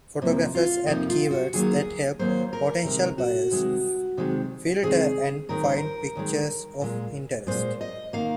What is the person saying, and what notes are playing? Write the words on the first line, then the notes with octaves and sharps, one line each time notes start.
Photographers add keywords that help potential buyers filter and find pictures of interest.
F2 C3 F3 A#3
F4
F2 C3 F3 A#3 D#4
F4
F#4
D#2 D#3 F#3 A#3 G#4
D#2 D#3 F#3 A#3 C5
A#4
C3 D#3 G#3 A#4
F#4
C3 D#3 G#3
C3 D#3 G#3
C3 D#3 G#3 G#4
D#2 D#3 G#3 A#4
C5
A#4
D#2 D#3 G#3
A#2 G#3
A#2 G#3 C5
D#5
D#3 A#3 F5